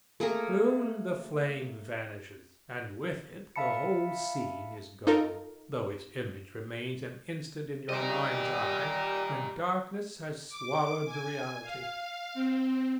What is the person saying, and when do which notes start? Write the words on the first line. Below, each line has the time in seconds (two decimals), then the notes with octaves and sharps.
Soon the flame vanishes, and with it the whole scene is gone, though its image remains an instant in your mind's eye when darkness has swallowed the reality.
0.20 A3 A#3 G#4 A#4
3.56 E5 F5 A5 B5 C#7
5.07 D#4 F4 A4 A#4
7.89 A#2 G3 A#4 D#5
10.49 D6
11.05 G#5
11.62 F5
12.34 C4